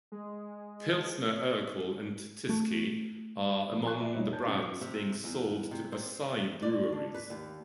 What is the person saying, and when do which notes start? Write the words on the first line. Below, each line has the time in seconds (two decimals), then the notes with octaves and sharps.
Pilsner Urquell and Tyskie are among the brands being sold to Asahi Breweries.
0.12 G#3
2.49 A3
3.72 F3
3.85 G#5 C6 C#6 F#6
3.99 D5 E5 A#5 B5
4.14 E1 G3 D#4 C#5 E5
4.32 A#4 A5 G6
4.47 B1 G2 C#4
4.81 C3
5.24 E2
5.71 C3
5.92 C5
6.62 D5
6.92 D4
7.14 B4
7.30 D#2